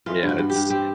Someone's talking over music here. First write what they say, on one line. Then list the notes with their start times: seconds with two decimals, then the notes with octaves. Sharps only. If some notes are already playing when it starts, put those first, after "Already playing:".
Yeah, it's
0.06 E3 F4
0.23 G2
0.29 F#4
0.38 G2
0.50 G4
0.55 G2
0.70 C4 G4